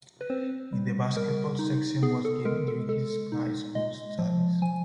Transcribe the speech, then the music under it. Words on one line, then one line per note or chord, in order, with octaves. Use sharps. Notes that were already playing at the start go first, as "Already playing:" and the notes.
In the basketball section was given during his high school studies.
B4
C4 C5
G3
G3 A#4
D#4
B3 G#4
A4
G#3 A#4
A4
G#3 A4
D#4
G#3 D#5
F3
F3 G#5